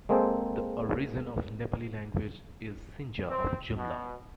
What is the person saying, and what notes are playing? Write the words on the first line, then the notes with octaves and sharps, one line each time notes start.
The origin of Nepali language is Sinja of Jumla.
G#3 A#3 C4 G#4 A4 C5
C4
B2